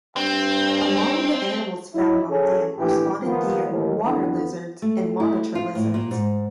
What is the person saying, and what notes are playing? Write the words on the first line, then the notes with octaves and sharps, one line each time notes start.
Among the animals found on land are spotted deer, water lizards and monitor lizards.
G2 C4
F#3 D#4 E4
C#4 G#4 A4
A#1 A2 E3 G4
D#3 F3 A#3 B3 F4
A1 D#2
F2 D3 E3 B3
A3
E4
F4
A2
A#2
G#2